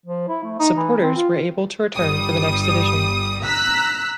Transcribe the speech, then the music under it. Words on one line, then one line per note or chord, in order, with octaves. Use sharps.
Supporters were able to return for the next edition.
F3
E4
A3
D#4
E3
C4
F4
G1 G3 D#6
A#5 E6 F#6 B6